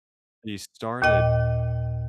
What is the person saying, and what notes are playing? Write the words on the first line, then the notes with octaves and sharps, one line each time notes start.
she started
D#2 A#2 D#5 G5